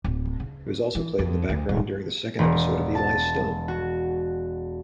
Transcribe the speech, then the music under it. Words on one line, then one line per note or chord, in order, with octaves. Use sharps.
It was also played in the background during the second episode of Eli Stone.
D1
C#3
E3
F2
D2
D#1
E1
A5
F#4